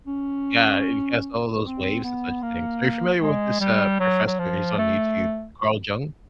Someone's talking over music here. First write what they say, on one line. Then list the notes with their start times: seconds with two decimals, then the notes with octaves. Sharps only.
Yeah, and he cast all those waves and such things. Are you familiar with this, uh, professor? He's on YouTube, Carl Jung?
0.07 C#4
1.63 C4
2.03 B3
2.42 A#3
3.20 G#3
3.60 G3
3.99 F#3
4.26 F#3
4.39 F3
4.78 A3